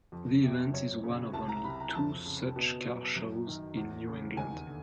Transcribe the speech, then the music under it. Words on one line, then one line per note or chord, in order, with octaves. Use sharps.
The event is one of only two such car shows in New England.
F2
C3
F#2 C#5
C#3
C2 A5
A#5
C3 B5
A#5
F2 A5
C#3
B2
F#3
F#2
D#3
E2
C#3
D#2 G#5
D3